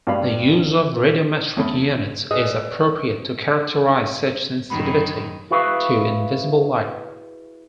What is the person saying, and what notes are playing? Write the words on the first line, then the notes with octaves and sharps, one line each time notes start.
The use of radiometric units is appropriate to characterize such sensitivity to invisible light.
G2 B2 G3 D4 F5 B5
E2 C#4 A4 B5
G#4 A4 B4 D5 D#5
F#2 D#3 B5
E4 F#4 G#4 B4 D5 F5